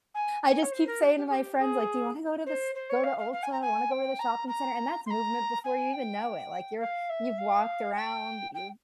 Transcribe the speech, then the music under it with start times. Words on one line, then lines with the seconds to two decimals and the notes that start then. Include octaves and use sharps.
I just keep saying to my friends, like, "Do you wanna go to the st go to Ulta? Wanna go to the shopping center?" And that's movement before you even know it, like, you're you've walked around, you've
0.14 G#5
0.42 G#5
0.62 C#5
0.71 C5
0.87 A#4
1.01 G4
1.17 G4
1.29 G#4
1.34 G4
1.59 G#4
2.46 C5
2.75 C5
2.89 C#5
3.03 F5
3.18 F5
3.32 F5
3.43 G#5
3.52 A#5
3.61 G#5
3.90 G5
4.19 A#5
4.48 A#5
5.06 C6
5.10 A#5
5.64 G#5
5.93 G5
6.80 F5
7.09 E5
7.38 F5
7.95 G5
8.54 G5